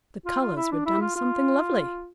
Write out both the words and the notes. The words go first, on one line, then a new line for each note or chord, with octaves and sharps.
The colours were done something lovely.
F4
F4
E4
D4
E4
F4
F4